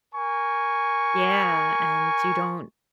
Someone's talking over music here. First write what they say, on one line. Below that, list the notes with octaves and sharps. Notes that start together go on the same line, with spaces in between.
Yeah, and you don't
A#4 G#5 C#6